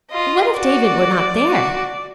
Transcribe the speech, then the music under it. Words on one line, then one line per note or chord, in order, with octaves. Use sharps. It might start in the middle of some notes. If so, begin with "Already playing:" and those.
What if David were not there!
F4 D#5
F#4 D5
F#4